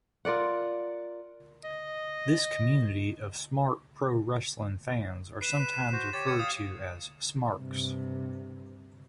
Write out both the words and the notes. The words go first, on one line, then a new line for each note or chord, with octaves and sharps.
This community of "smart" pro-wrestling fans are sometimes referred to as "smarks".
F4 A#4 D5 F#5
D#5
B4 B5 C7 D#7 E7
B4
F#4 C5
G4 C#5 A6
G#6 C#7 D#7
F5 D#6
G2 C3